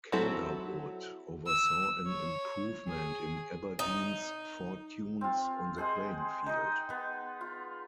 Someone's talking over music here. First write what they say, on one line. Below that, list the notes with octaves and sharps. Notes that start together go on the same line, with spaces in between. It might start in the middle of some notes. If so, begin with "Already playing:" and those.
Calderwood oversaw an improvement in Aberdeen's fortunes on the playing field.
F#3 C4 E4 A4
E6
C#5
G#4
D#4
C4 F4
G#3 G#4 C5 F#5
D#4 D#5
B3
F4